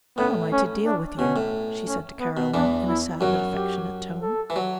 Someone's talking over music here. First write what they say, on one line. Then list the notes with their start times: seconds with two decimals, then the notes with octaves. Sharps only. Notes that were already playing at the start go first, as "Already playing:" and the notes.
"How am I to deal with you?" she said to Caroline, in a sad but affectionate tone.
0.18 A2 B3
0.52 C#4
0.86 D4
1.19 B2 C#4
1.36 A2
1.87 C#4
2.20 B3
2.37 B2
2.54 E2 E3 D4
2.88 E4
3.21 F#2 F#3 F#4
3.56 G4
4.22 A4
4.50 E3
4.56 F#3